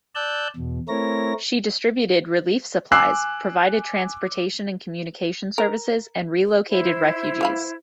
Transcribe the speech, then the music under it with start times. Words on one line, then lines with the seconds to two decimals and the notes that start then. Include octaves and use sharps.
She distributed relief supplies, provided transportation and communication services and relocated refugees.
0.15 D5 A5 E6 F#6 G6
0.57 E2 B2
0.88 A3 C4 E4 A#4 C#5 A#6
2.92 G#5 D6 E6 F#6 C7
5.58 A#4
6.68 E4 C5
7.41 E3 F5 B5